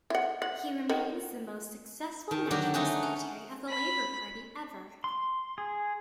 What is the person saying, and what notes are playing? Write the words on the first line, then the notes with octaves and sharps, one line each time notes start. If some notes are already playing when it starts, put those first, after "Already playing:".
He remains the most successful National Secretary of the Labor Party ever.
E4 F#5
F#5
D#3 F#3 F#5
D#3
D3 F#3 F#4 G4
A3 D#4 F#4 G#4
C#4
B5
C6
G#4